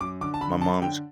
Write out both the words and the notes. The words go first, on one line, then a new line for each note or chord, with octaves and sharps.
my mom's
F#2 D6
D3 D6
A5
D3 B5
F#2 A5
D3 G5